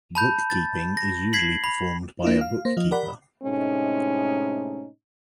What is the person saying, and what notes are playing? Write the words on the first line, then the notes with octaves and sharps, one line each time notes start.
Bookkeeping is usually performed by a bookkeeper.
A5 B5 G6
A6
A#6
G#6 B6 C7 F#7
B5
A#3 D4 E4 F4
F5
A#3 C5
F3 F4 D#5
G4 A#4 D5 F#5 B5
A2 C3 G#3 A3 C#4 D#4